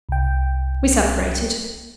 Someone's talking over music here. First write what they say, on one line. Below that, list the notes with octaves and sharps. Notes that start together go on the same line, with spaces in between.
We separated.
C2 G5